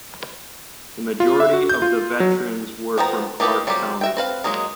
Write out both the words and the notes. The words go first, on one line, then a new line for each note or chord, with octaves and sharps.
The majority of the veterans were from Clark County.
F4
E5
F#4
G6
F4
F#3
F3 B3 G5 A#5
A#3 D#4 G4 A4 B4
F#3 G3 C4 F4 G4
F#4 E5 G5
C4 B4 F5
F#3 G#3 A#3 D#4